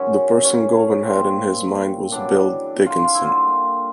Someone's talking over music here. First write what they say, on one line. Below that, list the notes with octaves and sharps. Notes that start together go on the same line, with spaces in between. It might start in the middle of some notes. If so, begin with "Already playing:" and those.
The person Govan had in mind was Bill Dickinson.
Already playing: F#2 D#3 G#3 C#4
C#4
A#2 G3 C4
F#2 C#3 E3 G3 D4
F4
F4
E4
D3 G3 A#3 F4